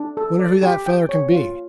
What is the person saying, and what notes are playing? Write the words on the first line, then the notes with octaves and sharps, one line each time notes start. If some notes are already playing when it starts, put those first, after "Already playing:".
Wonder who that feller can be.
Already playing: D4
A4
D5
G4
G5
C#5
F4